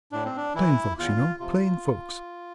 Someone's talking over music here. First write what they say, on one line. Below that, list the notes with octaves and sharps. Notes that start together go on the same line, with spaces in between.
Plain folks, you know--plain folks.
A2 D4
C4
D4
E3 E4
E2 F4
C3 F3 F4